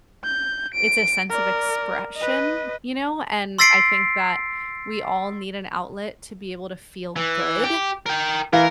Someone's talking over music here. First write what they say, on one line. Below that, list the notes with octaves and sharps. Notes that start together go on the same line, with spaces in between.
it's a sense of expression, you know? And I think that we all need an outlet to be able to feel good,
G6
D7
A#4 D5
B4 D#5
C6 E6 A6 B6 C7 D7
E3
G4
A#4 G5
E3 A#4 F5